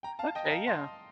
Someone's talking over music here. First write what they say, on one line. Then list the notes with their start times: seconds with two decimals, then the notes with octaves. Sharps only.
Okay. Yeah.
0.03 G5 A#5
0.19 F5 A5
0.35 D#5 G5
0.45 A#5
0.50 F5 A5
0.67 A5 C6